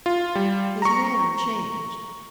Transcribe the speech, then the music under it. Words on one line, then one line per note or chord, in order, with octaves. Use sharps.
His manner changed.
F4
G3
A#5 C#6